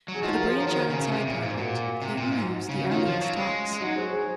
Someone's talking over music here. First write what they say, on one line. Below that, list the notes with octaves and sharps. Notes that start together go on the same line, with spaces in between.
For the Brainchild side project, Klayton used the alias Tox.
F#3
G#4
F3 D#4 F#4
F#4 A#4
G#4 C5
A#4 C#5
F3
D#3 F#4 A#4
C#3
C#3
C3 G#4 C5
A#2
G#2
A#2 F#4 A#4
C3
A#2
G#2
D#4 F#4
C#3
F#4
D#3 C#4 F4
F3
F#3
G#3
G#3
F#3 D#4 F#4
G#4 C5
G#4 C5